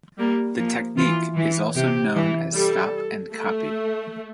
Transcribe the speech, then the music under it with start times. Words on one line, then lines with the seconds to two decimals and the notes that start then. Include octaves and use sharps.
The technique is also known as stop-and-copy.
0.19 G3 A#3
0.58 F3 A#3
0.97 E3 F4
1.36 E3
1.75 C3 G4
2.15 E3
2.54 G3 A4
3.32 A3